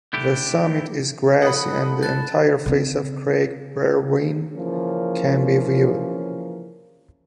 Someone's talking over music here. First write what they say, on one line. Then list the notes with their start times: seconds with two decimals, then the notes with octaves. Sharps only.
The summit is grassy, and the entire face of Craig Berwyn can be viewed.
0.13 D3 A3 E4 G4
1.42 F3 A4 F#5 B5 D#6
2.03 A5 F#6 A6
2.66 C#3 C4
4.54 C#3 E3 F3 A#3 C#4 A#4